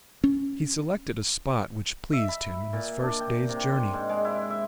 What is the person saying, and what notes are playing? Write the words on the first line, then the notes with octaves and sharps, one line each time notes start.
He selected a spot which pleased him in his first day's journey.
C#4
E5
B5
A#2
D4
G5
C3
C6
G#2
G#3
E4
E5